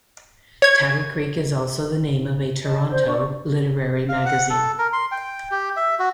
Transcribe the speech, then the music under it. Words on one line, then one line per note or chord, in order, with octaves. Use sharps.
"Taddle Creek" is also the name of a Toronto literary magazine.
C#5 G#6
D#5 A5
C5 D5 G6
D4 D5 C#6
F5
F#5
A4
A#4
C6
G5
G4
E5
F#4